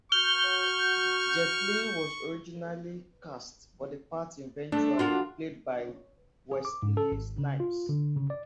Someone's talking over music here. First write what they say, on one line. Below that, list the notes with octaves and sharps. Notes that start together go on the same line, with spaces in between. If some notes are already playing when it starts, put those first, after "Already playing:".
Jet Li was originally cast for the part eventually played by Wesley Snipes.
F#4 C#6 F6 G6 G7
A3 D4
F4 F#4 A#4
G#4
D6
G#2
A4
G#1
C#3
F4
D3
C#3
D5